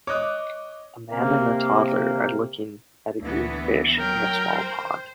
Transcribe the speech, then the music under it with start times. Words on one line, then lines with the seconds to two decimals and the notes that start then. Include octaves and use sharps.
A man and a toddler are looking at a green fish in a small pond.
0.07 C#5 D#5 D6 D#6 F#6
1.11 C3 A#3
3.23 D2 E3 B3
3.99 F#3 A#4 G5
4.57 C5